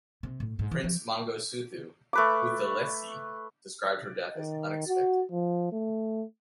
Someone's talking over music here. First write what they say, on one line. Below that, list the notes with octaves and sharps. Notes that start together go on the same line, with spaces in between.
Prince Mangosuthu Buthelezi described her death as "unexpected".
C3
A2
G#2
E3
F3
A3 B4 D6
D#3
F#4
F3
A3